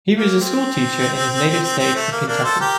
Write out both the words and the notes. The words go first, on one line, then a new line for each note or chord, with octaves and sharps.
He was a school teacher in his native state of Kentucky.
A#3
C4
C4
C4
A3
A#3
A#3 D4
A4 C5
G4 A#4